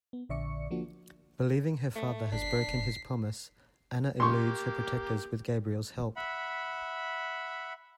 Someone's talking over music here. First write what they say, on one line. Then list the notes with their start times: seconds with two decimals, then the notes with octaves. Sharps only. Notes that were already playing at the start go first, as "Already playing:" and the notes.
Believing her father has broken his promise, Anna eludes her protectors with Gabrielle's help.
0.13 B3
0.29 A#1 D3 D5 E5 C#6 C#7
0.71 F3 A#3 D4 F#4
1.96 A3
2.32 G1 D4 B6 C7
2.68 F1
4.20 A#3 G4 C6 C#6
6.16 E5 F#5 B5